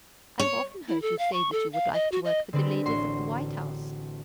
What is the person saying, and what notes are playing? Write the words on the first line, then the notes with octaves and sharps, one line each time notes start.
I have often heard you say that you would like to work for the ladies of the White House.
C#5
E4
A4
F5
C#6
A4
F5
D#5
F#4
D#5
D3 G#3 C4 B4 D5
A1 F#4 C6